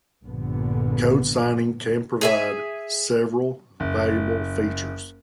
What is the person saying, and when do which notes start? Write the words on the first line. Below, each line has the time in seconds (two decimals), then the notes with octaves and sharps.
Code signing can provide several valuable features.
0.23 A#1 G2 A#2 D3 B3
2.21 G#4 E5 G#5
3.80 F#1